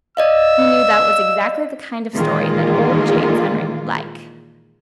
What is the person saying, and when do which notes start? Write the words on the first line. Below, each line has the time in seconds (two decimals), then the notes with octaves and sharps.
He knew that was exactly the kind of story that old James Henry would like.
0.17 D5 D#5 F5 E6
2.15 A#2 D#3 E3 G#3 A#3 F4